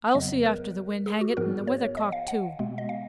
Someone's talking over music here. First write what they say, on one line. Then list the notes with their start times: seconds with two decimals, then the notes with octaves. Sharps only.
I'll see after the wind, hang it, and the weather-cock, too.
0.15 F2 C#3 F#3 B3 D#5
0.45 A#4
1.06 G#4
1.21 F#4
1.37 G#2 F3 B3 A#4
1.67 C#5
1.97 D#5
2.12 F5
2.28 F#5
2.59 B2 G#3 B3
2.78 D#5
2.89 F5